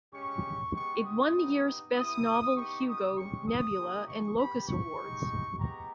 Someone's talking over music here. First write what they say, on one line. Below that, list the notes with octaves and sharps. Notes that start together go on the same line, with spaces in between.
It won the year's "Best Novel" Hugo, Nebula and Locus Awards.
G#3 C#4 G4 C#6
G#3 B3 G4 C#6
D#6
B3 D#4 G4
B3 E4 G4 D#6
B3 D#4 G4 C#6
D#6
G#3 C#4 G4 C#6
D#6
A#3 D#4 G4
C#6
B3 G4 B5
C#6
G#3 D#4 G4
G#3 B3 G4 A#5